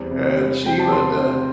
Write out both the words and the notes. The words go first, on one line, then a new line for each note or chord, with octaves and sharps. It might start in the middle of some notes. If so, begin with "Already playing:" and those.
And she would, uh
Already playing: E2 G3 C4
C3
G3
C4 G5
A5
E2 C6
C3